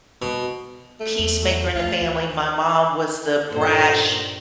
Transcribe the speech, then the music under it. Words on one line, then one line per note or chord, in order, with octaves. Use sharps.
peacemaker in the family. My mom was the brash
B2
A3
E2
D2 F4
G2 A#2 A4 C5